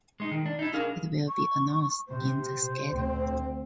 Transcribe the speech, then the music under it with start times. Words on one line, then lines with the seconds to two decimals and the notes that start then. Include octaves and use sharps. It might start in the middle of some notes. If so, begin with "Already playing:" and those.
It will be announced in the schedule.
0.20 G#3 D#4
0.31 D#3
0.46 D4
0.59 D#4 E4
0.73 D4 G#4 A#4 F5
1.28 C#6
2.08 C3 C5
2.93 D2 C4